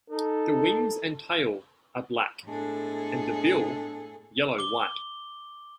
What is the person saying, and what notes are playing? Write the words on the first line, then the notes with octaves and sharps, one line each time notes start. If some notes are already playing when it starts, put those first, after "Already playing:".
The wings and tail are black and the bill yellow-white.
D#4 A4
A2 G#3 B3 D4 G#4 A4
D6 G7